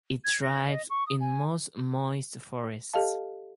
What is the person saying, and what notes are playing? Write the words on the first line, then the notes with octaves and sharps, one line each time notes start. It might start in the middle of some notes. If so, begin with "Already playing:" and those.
It thrives in most moist forests.
G#6
A#6
D#5
C#6
D#6
G#5
G4 A4 D#5 F5 A5